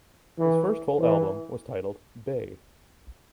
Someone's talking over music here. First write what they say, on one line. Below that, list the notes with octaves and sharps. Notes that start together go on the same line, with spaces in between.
His first full album was titled "Bae".
E3
E3